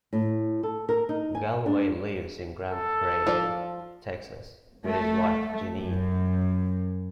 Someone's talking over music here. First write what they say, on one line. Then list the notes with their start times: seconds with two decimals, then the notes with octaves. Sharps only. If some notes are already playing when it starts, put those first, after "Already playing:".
Galloway lives in Grand Prairie, Texas, with his wife Janeen.
0.13 A2
0.63 A4
0.89 A#4
1.09 D#4
1.35 G#5
1.66 D4
2.72 A4
3.27 F3 F4 D5
4.86 A3
5.77 F#2